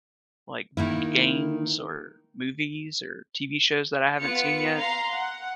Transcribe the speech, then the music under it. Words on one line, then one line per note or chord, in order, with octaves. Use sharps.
Like, g games, or movies, or TV shows that I haven't seen yet.
D#3 A#3 E4
B3 F4 C#7
F5 A#5 C6
F#5